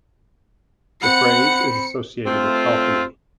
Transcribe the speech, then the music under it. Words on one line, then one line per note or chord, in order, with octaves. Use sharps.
The phrase is associated with alchemy.
C4 F#5 B5 C#7
A3 C4 F4